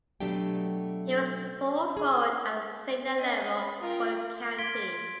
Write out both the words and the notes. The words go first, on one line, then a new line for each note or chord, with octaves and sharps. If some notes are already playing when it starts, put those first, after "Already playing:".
He was full forward at senior level for his county.
B2 F#3 A3 D4 G4 G5
G#4
C#4 D#5
B5
F4 A#4 G5
C6 G#6 B6 D7 G7